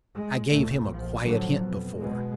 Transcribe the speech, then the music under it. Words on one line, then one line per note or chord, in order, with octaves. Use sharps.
I gave him a quiet hint before.
G#3
D2 A#2 A3
A#1 F3
A2 D3 F3 F#3
F2 B2
B2 G#3